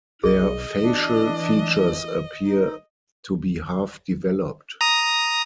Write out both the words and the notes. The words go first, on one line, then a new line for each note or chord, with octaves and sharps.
Their facial features appear to be half-developed.
B1 G#4 D#5
E3 D4
D#4
A#5 D#6